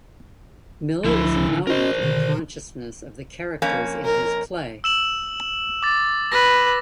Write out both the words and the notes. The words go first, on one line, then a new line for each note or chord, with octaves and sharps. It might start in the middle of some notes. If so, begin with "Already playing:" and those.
Miller is known for the consciousness of the characters in his play.
C#2 D3 F3 E4 B5
C#4 F#4 A#4 C5 D#5
B2 D3 D#3
F2 A#3 C#4
A#4
E6 E7 F#7
D6 A6
B4 A#6